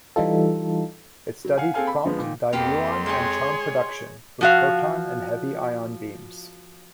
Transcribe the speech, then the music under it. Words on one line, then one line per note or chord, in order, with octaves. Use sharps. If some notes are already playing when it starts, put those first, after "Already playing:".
It studied "prompt dimuon and charm production with proton and heavy ion beams".
E3 G3 D#4 F4 A4
F#3
F5 F#5 G#5
C4 G#4 A4 F5 G#5
B5
D3 F3 G#3 B3
A#2 D#3
F2 A#3 B3 G4 C6
G#3 G4 G#4 C#5
F3 F#4 F5